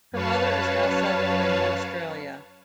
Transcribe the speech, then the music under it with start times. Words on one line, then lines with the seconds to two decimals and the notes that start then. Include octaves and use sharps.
Her mother is now settled in Australia.
0.12 F#2 B4 C#5 F5 A5